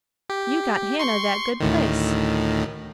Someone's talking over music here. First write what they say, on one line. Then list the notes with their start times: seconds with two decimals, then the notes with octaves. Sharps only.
You got Hannah that good place.
0.30 G4
0.99 C6 C#6
1.60 D2 A2 D#3